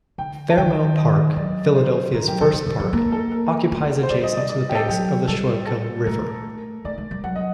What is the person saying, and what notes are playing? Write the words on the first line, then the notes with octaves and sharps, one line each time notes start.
Fairmount Park, Philadelphia's first park, occupies adjacent to the banks of the Schuylkill River.
D3 G5
A5
D#3 G5
D#5
F#3 D5
C5
D#3 A#4
F#3 G4
D#3 A4
D3
D#3
F#3
A#3 A#4
A4
A#4
A3
C5
G3 D5
D#5
D5
D5
G4
A4
F#3 G4
G3 A4
A4
A3 A#4
A3 D5
A3
G3
F#3 F#5
D#5